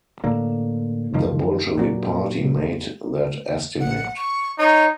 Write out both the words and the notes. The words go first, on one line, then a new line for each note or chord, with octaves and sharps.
The Bolshevik party made that estimate.
A2 D3 A#3
F#2 D#3 F3
A#2 F#3
F#5
C#6
D#4 C#5